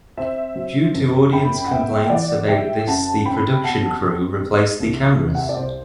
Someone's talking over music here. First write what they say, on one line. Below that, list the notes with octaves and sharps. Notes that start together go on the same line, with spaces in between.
Due to audience complaints about this the production crew replaced the cameras.
C4 C5 E5
F#3
F#2
F#2 G5 B5
F#5
B3 E5 G5
G5
E3 D5 F#5
G3 E5 G5
F#2 F#5 A5
C4 G5 B5
B2 F#5 A5
C4
G3
C2
C3
F#5
E5
D5
C2 C5